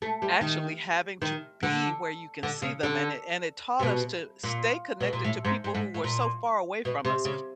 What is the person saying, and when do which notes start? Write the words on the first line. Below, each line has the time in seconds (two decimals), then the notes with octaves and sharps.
actually having to be where you can see them. And it and it taught us to stay connected to people who were so far away from us,
0.02 A3
0.22 G3
0.41 D#3
1.22 D#3
1.63 D3
2.43 D3
2.62 C#3
2.83 D3
3.80 C3
3.83 B2
4.44 A#2
5.01 B2
5.13 A#2
5.24 A2
5.45 G#2
5.64 G#2
5.75 G#2
5.94 A2
6.04 A#2
6.85 B2
7.05 C3
7.25 C#3